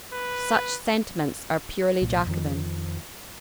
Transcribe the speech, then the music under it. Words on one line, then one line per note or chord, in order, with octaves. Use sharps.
Such sentiments are purely Jacobin.
B4
C2 A#2
F2 D#3 F3